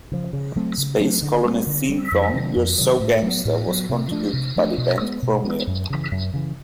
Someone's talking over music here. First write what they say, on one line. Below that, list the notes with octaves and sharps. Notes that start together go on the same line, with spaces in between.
"Space Colony"s theme song "You're So Gangsta" was contributed by the band Chromeo.
C#3 F3
C#3
F#3 A3 C4
C#3
F#3 A3 C4
D3
G3 C4
D3
G3 C4
F2
C3 D#3 F#3
F2
C3 D#3 F#3
A2
F#3 B3
A2
F#3 B3
C3
F3 A3 D4
C3
F3 A3 D4
B2
G#3 B3
B2
G#3 B3
F#2
C#3 E3
F#2
C#3 E3